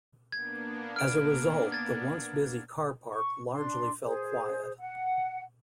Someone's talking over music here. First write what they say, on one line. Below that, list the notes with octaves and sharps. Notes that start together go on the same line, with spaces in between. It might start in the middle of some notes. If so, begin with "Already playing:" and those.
As a result, the once busy car park largely fell quiet.
A#3 B3 D4 G#6
F6 D7
G#6 A6
C#6
D4 C6
G#4 C5
F#5